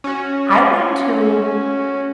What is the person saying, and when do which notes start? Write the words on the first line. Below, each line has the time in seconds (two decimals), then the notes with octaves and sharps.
I went to
0.04 C#4 F#4